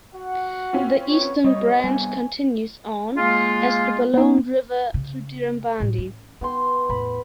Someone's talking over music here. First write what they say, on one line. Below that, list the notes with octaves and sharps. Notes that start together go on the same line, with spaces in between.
The eastern branch continues on as the Balonne River through Dirranbandi.
F#4 F#5
C4 C#4 F4
A2 F#3 B3 C#5
D#2 G#2 C3 G3 C#5 D#5
G3 B3 G#5
G#3 A#3 F4
B3 D#4
C#3
A2
C#4
B3 D#4 G5 C6
E2 A2 B5